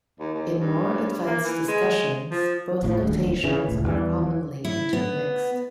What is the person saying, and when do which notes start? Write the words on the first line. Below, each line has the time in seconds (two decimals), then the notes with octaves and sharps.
In more advanced discussions, both notations are commonly intermixed.
0.19 D#2
0.35 D#2
0.60 G2
1.26 A#3
1.45 E3
1.68 G#3
2.31 F3
2.83 A#1 A2 F3
2.99 D#1 D2
3.44 C#3 E3
3.68 C#2 A2
3.85 E2 E3 G3
4.22 E3
4.64 E4
4.93 B3